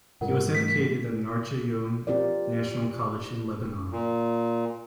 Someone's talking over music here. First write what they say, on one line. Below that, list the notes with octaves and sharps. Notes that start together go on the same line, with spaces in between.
He was educated at Narj' Oyoun National College in Lebanon.
G#2 C#3 G3 F4 A#4 F#5
E3 A3 B6
C4 F4 G4 A#4 D5
A#2